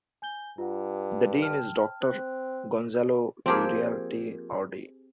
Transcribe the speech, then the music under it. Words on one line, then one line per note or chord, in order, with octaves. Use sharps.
The Dean is Doctor Gonzalo Uriarte Audi.
G#5 G6 G7
G2 F4 F#5
G5 A5 F6
C4 F#6
F3 A#3 C4 G4 G#4